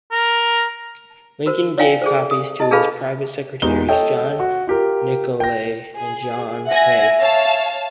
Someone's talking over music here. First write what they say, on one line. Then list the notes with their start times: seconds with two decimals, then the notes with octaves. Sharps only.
Lincoln gave copies to his private secretaries, John Nicolay and John Hay.
0.11 A#4
1.46 F#4 A#4 C5
1.78 C#5 D5 E5 F5 G5 G#5
2.02 G#4 A4 C5
2.31 D#6
2.60 E4 D#5 A5
2.71 D4 G#4 A4 B4 F5 B5
3.62 E2 G#3 D#4 G4 G7
3.89 A4 C#5 D#5 G5
4.40 F#4
4.67 F4 G4 A#4
5.40 G5 A#6
5.96 G#4
6.68 E5 F#5 G#5 A#6
7.20 C#5 F5 A5